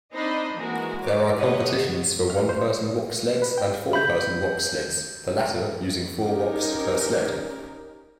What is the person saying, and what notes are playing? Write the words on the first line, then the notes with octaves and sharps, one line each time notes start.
There are competitions for one-person-woksleds and four-person-woksleds, the latter using four woks per sled.
C4 D4 D#4 C5 D#5 B5
E3 G#3 A#3 F#4 A#4
C#5 D6
G4 B4 C#5 D#5 F#5
F#3
F6
C5
B4
G5
B5 G6
C#4 D#4 G4 A#4